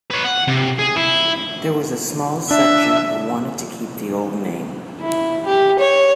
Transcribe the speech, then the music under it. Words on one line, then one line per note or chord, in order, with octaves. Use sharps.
There was a small section who wanted to keep the old name.
B4 C#5
F#5
C3
G#4
E4
D4 E5
E4
G4
C#5